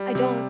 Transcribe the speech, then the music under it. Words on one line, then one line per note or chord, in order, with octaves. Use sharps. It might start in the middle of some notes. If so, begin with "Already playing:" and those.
I don't
Already playing: G3
C3